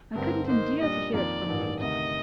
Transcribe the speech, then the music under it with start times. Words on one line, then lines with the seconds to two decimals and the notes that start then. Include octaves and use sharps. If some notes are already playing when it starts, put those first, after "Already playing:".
I couldn't endure to hear it from you.
0.15 G2 D3 A3 C4 A#4
0.47 D#3 A#3 D#4 C5
0.81 A#2 G3 D4 D#5
1.13 F2 D#3 A#3 F4 A#4 D5
1.46 A1 G2 D#3
1.79 D2 C3 D#3 D#5